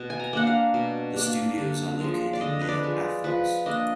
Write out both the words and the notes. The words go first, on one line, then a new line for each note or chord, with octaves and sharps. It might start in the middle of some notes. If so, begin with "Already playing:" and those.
The studios are located near Athens.
Already playing: B2
G#5
A#5
A#3 D4 F#5
F5
B2
A#3 D4
D3
F3 G#3
D5
D3 D#5
B4
D5
F3 G#3
F3 B4
A#3 D4 D#5